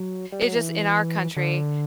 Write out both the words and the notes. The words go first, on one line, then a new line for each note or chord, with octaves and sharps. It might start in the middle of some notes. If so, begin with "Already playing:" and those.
it's just in our country,
Already playing: F#3
G3
F#3
E3
D3